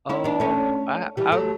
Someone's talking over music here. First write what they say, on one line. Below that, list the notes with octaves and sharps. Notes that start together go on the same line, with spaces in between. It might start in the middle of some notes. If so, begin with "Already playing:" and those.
Um, I I
C#4 E4
B3 D4
A3 C#4
E3 G3
F#3 A3